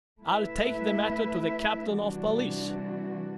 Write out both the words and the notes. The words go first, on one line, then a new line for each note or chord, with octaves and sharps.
I'll take the matter to the captain of police.
A3 E4 B4 E5
C3 E3 G3 D4 F#4